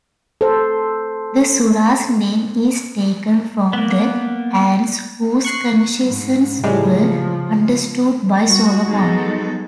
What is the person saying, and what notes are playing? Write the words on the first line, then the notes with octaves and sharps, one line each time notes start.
The sura's name is taken from the ants whose conversations were understood by Solomon.
A4 C5
A#3 B3
C#6 F#6 C7
G#2
A2 C#3 F3 G3 G#3
G3 F#4
F#3 G#3 B3 D#4 F#4 A4